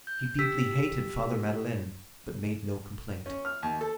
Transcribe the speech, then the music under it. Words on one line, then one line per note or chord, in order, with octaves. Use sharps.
She deeply hated Father Madeleine, but made no complaint.
G6
G4 E6 B6
C#4
F6
D#2
A4